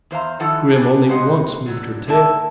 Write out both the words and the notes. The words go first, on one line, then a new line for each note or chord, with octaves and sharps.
Grim only once moved her tail.
E2 C5 F5 A#5
D#3 F3 F#3 E4 A4 F#5
D4 G4 G#4
G#3 A#3 G4 C5 D#5 F#5
D3 F#3
G#2 A#3 E4 A5